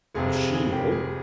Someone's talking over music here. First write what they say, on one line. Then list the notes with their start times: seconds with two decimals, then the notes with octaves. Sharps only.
"Does she know?"
0.15 F1 F2 C3 G#4
0.35 G#4
0.54 G#4
0.73 G4
0.92 G#4